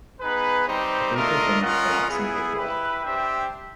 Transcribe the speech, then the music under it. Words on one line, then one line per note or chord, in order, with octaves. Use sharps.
A group of women fill out some paperwork.
B3 D#4 G#4 B4
G3 C4 D#4 G4 C5
A3 D4 F4 A#4 D#5
C#4 F4 A#4 D#5 F#5
B3 E4 G#4
E4 G4 B4
D4 G4 C5 E5 G5